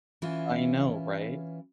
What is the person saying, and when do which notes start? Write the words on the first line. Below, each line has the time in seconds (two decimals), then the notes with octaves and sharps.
I know, right?
0.22 E3 C#4 E4 F4